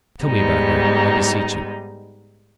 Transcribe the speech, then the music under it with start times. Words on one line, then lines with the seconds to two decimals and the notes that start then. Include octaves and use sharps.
Tell me about her, I beseech you.
0.24 G#2 G3 B3 D#4